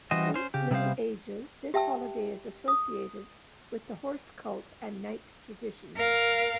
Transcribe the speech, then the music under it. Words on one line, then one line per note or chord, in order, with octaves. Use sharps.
Since Middle Ages, this holiday is associated with the horse cult and knight traditions.
E3 G3 C#4 F#4 C5 D#5
C#4 C5
C#3 G4
C3 G3 B3 A4 C5 F5
G4 E5 G5 A5 E6
D#6
A#4 F5